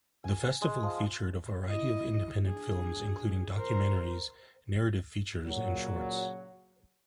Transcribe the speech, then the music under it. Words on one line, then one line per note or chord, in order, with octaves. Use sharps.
The festival featured a variety of independent films including documentaries, narrative features and shorts.
G#5
G#3
F3
E4 D#5
D4 G#4
A#4 C5
A#2 C#3 F#3